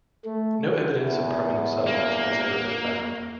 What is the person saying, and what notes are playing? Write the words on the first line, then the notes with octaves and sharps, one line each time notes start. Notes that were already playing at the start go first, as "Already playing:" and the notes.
No evidence of permanent settlement has ever been found.
A3
E2
A#3